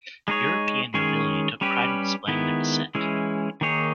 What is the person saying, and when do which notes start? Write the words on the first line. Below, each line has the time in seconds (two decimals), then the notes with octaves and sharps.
European nobility took pride in displaying their descent.
0.28 G#3 D#4 G#4 C#5
0.94 D#3 G#3 C#4 G#4 C#5
1.61 G3 C#4 G4 B4
2.27 D#3 G#3 B3 E4
2.95 E3 G#3 C#4 E4
3.61 D#3 A#3 D#4 G#4 C#5